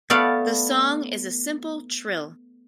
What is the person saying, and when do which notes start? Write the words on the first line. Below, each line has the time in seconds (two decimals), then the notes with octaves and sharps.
The song is a simple trill.
0.10 A3 B3 A4 D5 F5 F#5